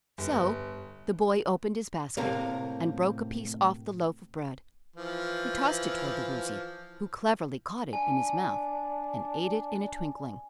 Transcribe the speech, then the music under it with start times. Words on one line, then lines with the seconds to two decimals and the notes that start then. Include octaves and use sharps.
So the boy opened his basket and broke a piece off the loaf of bread. He tossed it toward the Woozy, who cleverly caught it in his mouth and ate it in a twinkling.
0.18 G1
2.17 A2 C3 A#3
4.96 E3 F3
7.93 D4 G#5